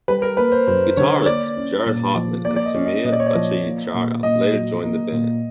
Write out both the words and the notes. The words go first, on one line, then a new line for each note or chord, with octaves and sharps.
Guitarists Jared Hartmann and Sameer Bhattacharya later joined the band.
G3 B4
A#4
A#3 B4
C5
F#2 C5
D3 C#5
A#3 D5
C#4
A#2
F3
A#3 D5
D5
D#5
C#4
D#5
A#2 D#5
D5
C#5
D5
F3 D#5
A#3
A#2
A#2 D#5
F#3
A#3
A#2